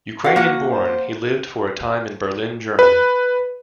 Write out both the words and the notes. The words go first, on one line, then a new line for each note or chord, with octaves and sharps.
Ukrainian-born, he lived for a time in Berlin, Germany.
F#4 F5 F#5
A#3 F#5
C5
B4